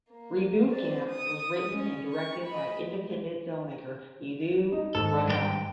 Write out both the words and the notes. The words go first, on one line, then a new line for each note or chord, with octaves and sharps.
Reboot Camp was written and directed by independent filmmaker Ivo Raza.
A#3
C4 D5
D#6
C#4
C#6
D#5 B5
D#4
G#2 D#3 A4
G2 G4 G5